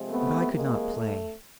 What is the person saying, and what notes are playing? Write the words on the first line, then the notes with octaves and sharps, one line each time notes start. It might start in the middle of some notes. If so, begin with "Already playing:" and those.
But I could not play.
Already playing: C3 F3 G#3
A3 B3
G#3 A#3
A3